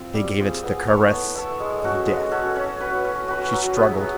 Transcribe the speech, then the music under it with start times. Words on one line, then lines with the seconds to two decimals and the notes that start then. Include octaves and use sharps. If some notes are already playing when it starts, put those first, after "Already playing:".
They gave it the caress of death. She struggled.
Already playing: C4 F4
0.14 G3
0.39 C4 F4 G#4
0.63 B3
0.87 E4 A4 C#5
1.12 B3
1.35 E4 A4 C#5
1.60 G#3
1.84 C#4 F#4 A4
2.07 G#3
2.31 C#4 F#4 A4
2.56 C#4
2.80 F#4 B4
3.05 C#4
3.28 F#4 B4
3.53 F#3
3.77 B3 E4 G#4
4.02 F#3